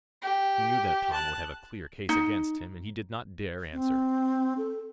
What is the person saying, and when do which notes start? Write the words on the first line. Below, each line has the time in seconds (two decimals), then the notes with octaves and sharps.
He knew that Tom would have a clear case against him, and he did not dare answer.
0.22 G4
1.13 A5 F#6
2.09 D#4
3.73 C4
4.58 A4